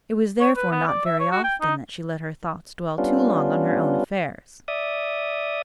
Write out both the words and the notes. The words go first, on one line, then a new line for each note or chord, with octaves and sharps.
It was therefore not very often that she let her thoughts dwell too long on her own affairs.
C#5
B4
B3
D5
E5
C#5
F#4
G5
D#4
G3 B3 C#4 D4 F4
D5 E5 D#6